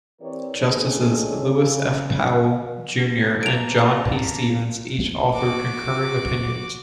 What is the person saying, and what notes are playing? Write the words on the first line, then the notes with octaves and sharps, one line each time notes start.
Justices Lewis F. Powell, Junior and John P. Stevens each authored concurring opinions.
E3 C4 G4 A#4 C#5 D5
D#3 A3 C#4 D4 G#4 C5
C#3
A#3 A5 A#5 D7 F7
F#4 D6